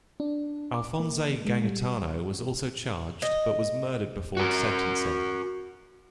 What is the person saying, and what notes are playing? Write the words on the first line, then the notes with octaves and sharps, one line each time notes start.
Alphonse Gangitano was also charged but was murdered before sentencing.
D4
D6
A#3
G#3
G3
D#5
F#4 A#4